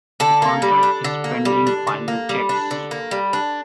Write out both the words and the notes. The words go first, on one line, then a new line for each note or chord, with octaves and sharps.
The contract is pending final checks.
D3 A4
A#3
G3
D4
D3
A#3
G3
D4
D3
A#3
G3
D4
D3
A#3
G3
D4